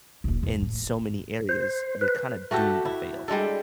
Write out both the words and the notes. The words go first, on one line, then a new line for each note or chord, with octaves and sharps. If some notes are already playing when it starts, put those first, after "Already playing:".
in so many areas, you're kinda doomed to fail.
D#1 B1
F2 B2
A2
C5
B4
A3 F#4 G4 A4
E4
G3 G#3 D4 A4